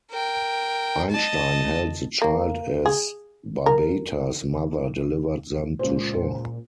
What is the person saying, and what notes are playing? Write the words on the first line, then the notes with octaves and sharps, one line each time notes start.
Einstein held the child as Barbata's mother delivered them to shore.
A#4 G5
D#5 A5
A#3
G#4
A#4
C#2 A#2 C5